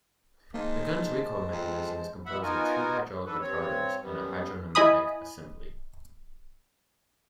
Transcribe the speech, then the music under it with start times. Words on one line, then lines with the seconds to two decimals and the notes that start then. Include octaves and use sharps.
The gun's recoil mechanism is composed of two hydraulic retarders and a hydropneumatic assembly.
0.54 D#3 G#3 A#3 C5 A5
1.52 F2
2.26 F2 B2 E5 F#5 B5
2.42 B3 D#4 F4 F#4 A#4 G#5
3.26 G#2 E3 D4 A4 B4
3.41 G2 C4 C#5
4.01 F#2 G3 B3
4.75 E4 D#5 G#5 B5 D#6